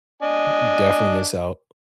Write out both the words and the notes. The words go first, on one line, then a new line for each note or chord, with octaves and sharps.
Y you definitely miss out.
D4 D#5 G#5